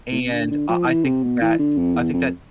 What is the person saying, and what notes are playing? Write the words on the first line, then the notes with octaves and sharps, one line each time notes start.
and uh, I think that I think that
A2
B2
C3
D3
D3
F3
E3
C3
B2
E3
D3
F2
E2
F2